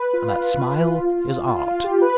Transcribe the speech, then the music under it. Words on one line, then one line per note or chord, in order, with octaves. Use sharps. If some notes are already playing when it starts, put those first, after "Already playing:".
And that smile is art.
Already playing: B4
F4
F4
F4
G4
B4